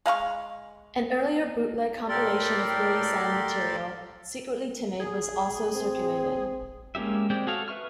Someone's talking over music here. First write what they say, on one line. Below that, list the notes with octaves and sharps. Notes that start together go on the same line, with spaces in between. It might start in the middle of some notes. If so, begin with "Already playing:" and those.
An earlier bootleg compilation of "Girly-Sound" material, "Secretly Timid", was also circulated.
G#3 F5 B5 C#6
A2 G4 A4 A#4 D5 C6
G#4
C4
G#3 A#3 C#4 G4 E5
G#3 C4 G4 D5 G5
F#4 G#4 A4 C#5 F5
B4 E5 C#6 F6